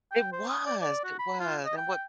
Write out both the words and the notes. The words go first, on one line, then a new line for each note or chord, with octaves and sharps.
It was! It was, and what
G5
C5
D#6
D5
D5
F#4
B5
F4
D#5
G5